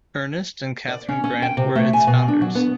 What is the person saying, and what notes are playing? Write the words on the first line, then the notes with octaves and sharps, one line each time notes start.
Ernest and Catharine Grant were its founders.
D5
C#4
C#4
G5
C3
A3
G#5
B2
D4
F#3
B3